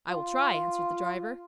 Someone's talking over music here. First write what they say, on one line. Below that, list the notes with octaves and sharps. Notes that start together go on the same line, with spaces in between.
"I will try," answered the driver.
F4